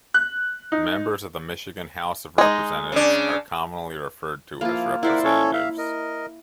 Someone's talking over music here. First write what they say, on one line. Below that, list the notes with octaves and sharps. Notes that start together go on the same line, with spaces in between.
Members of the Michigan House of Representatives are commonly referred to as representatives.
F#6
D#4
G#3 D#4
C#3 D4
F3 A#3 E4 F4
E4 A#4 C5 D5 F#5
C#4 A4 C#5
E5 F5
A#4 D#5